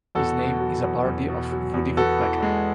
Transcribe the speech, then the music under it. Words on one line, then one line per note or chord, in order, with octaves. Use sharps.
His name is a parody of Woody Woodpecker.
E2 F#4 A4
B2
F#3
E2
E2
B2
F#3
E2
B3 F#4 A4
E3
G#3